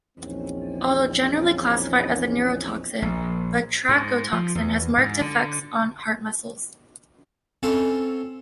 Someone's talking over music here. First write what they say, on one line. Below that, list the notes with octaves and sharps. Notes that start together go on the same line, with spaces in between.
Although generally classified as a neurotoxin, batrachotoxin has marked effects on heart muscles.
A#1 E2 C4 C#4 D#4
A#1
G#2
F3
E2
G#2
D3
C4 C#4 F4 A4